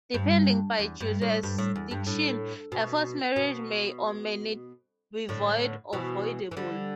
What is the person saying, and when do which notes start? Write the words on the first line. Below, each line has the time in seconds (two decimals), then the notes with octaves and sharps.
Depending by jurisdiction, a forced marriage may or may not be void or voidable.
0.14 G2
0.79 E2
1.00 G2
1.21 A2
1.43 G2
1.58 A2
1.76 E2
1.91 G2
2.07 A2
2.72 B2
3.36 B2
5.29 A2 D3
5.93 B2 E3
6.51 E3
6.57 D3 G3